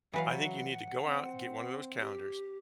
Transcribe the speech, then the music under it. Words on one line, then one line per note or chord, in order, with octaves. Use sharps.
I think you need to go out and get one of those calendars,
E3 F#3 B4 F5 F#5
C4
G4